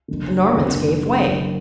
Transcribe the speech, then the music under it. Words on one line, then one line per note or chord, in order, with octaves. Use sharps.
The Normans gave way.
F#1 F#2 D3
F#1 F#2 D3 F#3